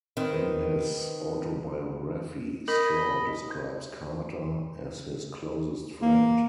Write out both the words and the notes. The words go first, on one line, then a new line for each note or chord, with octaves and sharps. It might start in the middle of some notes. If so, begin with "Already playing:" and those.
In his autobiography Straw describes Carter as his closest friend.
D#3 C4 B4
A#4 D#5 B5
A#3